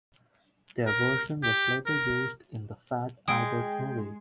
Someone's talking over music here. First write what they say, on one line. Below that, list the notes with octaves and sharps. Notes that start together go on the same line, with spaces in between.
Their version was later used in the Fat Albert movie.
A#4
G4
A#4
G#3 G5 D#6 D7